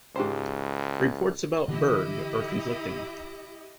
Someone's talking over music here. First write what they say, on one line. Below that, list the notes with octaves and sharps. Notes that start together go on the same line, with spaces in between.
Reports about Berg are conflicting.
C#2 G#2 G4 C5
D3 E3 E4 G4 D#5